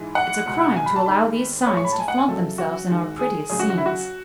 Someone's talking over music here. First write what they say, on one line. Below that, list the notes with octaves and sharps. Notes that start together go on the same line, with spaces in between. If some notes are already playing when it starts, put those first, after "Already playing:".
It's a crime to allow these signs to flaunt themselves in our prettiest scenes.
Already playing: G#2 E3 G#3
F#5
C#2 B2 G#3
G#5
B5
A5
D#2 D#3 G#3 B5
B4
A2 G#3 C#5
C#6
B5
A5
G#5
F#5
G#5
F#2 C#3 F#3 A4
F#4
D#2 D#3 G#3
G#4
F#2 C#3 F#3 G#4
F#4
F#4
E4
F#4